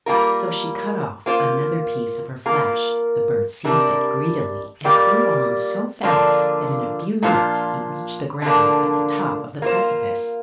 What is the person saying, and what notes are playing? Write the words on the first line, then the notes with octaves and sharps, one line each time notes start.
So she cut off another piece of her flesh; the bird seized it greedily, and flew on so fast that in a few minutes he reached the ground at the top of the precipice.
G3 A#3 F4 A#4
A#3 F4 C5
A#3 F4 A#4
C3 G3 D4 A#4
A#2 G3 A#3 G4
D3 F3 A#3 D4 F4
A#2 F3 D4 F4 C5
D3 F3 A#3 D4
A#3 F4 C5